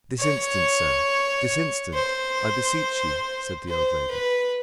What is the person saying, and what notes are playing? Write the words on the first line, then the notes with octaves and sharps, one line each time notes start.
"This instant, sir--this instant, I beseech you!" said the old lady.
C#5
C5
C5
B4